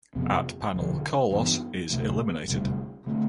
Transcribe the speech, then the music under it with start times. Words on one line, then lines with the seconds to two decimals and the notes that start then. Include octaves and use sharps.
At panel Carlos is eliminated.
0.15 F2 C3 F3 B3
0.74 E1 D2 D3 F3
1.31 G2 E3 B3
1.90 D2 C3 E3 A3
2.48 E1 D2 C3 G3
3.06 D3 A3 C4